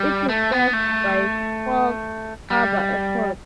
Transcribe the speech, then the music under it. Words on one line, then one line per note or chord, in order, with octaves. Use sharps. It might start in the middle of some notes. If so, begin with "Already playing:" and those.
It is served by Fox Harbour Airport.
Already playing: G3
A3
B3
A3
G3